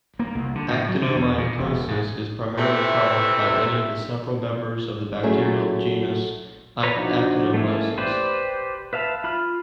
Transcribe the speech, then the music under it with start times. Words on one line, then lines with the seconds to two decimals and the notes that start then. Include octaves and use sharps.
Actinomycosis is primarily caused by any of several members of the bacterial genus "Actinomyces".
0.19 A#3
0.35 C2
0.55 D3
0.69 A2
0.88 F#3
1.02 D3
1.16 E2
1.38 A#2
1.58 E1
1.88 G#2
2.58 C3 E3 A3 E5
5.23 F#3 A3 C#4 E4 G#4
6.83 B4 C#5 A#5
6.96 F3 D4 D#4 F#4
7.54 A3 A#3 C#4 E4
7.98 G4 B4 C5 D5
8.93 B4 E5 F5 A5
9.24 F4 B5 F6